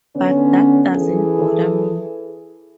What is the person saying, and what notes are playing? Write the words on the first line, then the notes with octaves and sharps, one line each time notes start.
But that doesn't bother me.
D3 B3 C#4
E3 G#4 A4